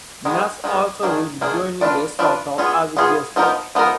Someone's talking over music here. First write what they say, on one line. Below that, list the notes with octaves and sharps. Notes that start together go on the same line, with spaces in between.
Nas also will be joining the startup as a guest coach.
D#3 G#3 B3
D#3 G#3 B3
D#3 A#3 D4 G#4
D#3 A#3 D4 G#4
D4 F4 B4 D5
D4 F4 B4 D5
B3 F4 G#4
B3 F4 G#4
F3 B3 D#4 A#4
F3 B3 D#4 A#4